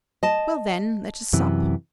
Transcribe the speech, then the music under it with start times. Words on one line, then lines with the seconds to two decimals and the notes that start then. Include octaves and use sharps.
"Well, then, let us sup."
0.23 D#5 A5
1.33 F#2 C3 E3